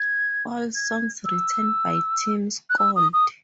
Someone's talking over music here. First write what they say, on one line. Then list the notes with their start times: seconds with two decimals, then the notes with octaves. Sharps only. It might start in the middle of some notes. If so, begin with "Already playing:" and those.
All songs written by Tim Skold.
Already playing: G#6
0.75 G#6
1.25 E6
2.70 F#6
2.79 E6
2.96 D#6
3.13 D#6